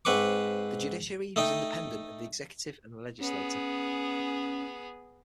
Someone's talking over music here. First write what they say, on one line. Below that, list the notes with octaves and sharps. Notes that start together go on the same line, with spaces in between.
The Judiciary was independent of the executive and the legislature.
G#2 C4 B4 C#6 D6
A3 D#4 D#5 G5
B3 C#4 G#4